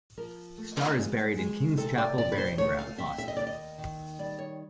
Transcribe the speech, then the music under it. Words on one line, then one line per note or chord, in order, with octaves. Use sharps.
Starr is buried in King's Chapel Burying Ground, Boston.
F3 A#4
A3
G#3
G#3
C3 A4
D5
C3 D5
B4
C5
A3 C#5
F5
C4 E5
E5
D#5
D#2 D5
D#5
D#3
G3 D5
C#5